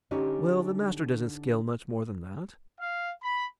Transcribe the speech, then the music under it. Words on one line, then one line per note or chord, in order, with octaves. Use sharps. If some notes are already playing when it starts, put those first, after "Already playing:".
"Well, the Master doesn't scale much more than that."
D3 C#4 D#4 G4
F5
B5